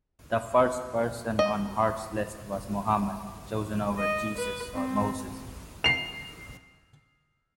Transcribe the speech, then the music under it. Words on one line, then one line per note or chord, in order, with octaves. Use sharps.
The first person on Hart's list was Muhammad, chosen over Jesus or Moses.
D#5
D#5
B4
C4
C7 F7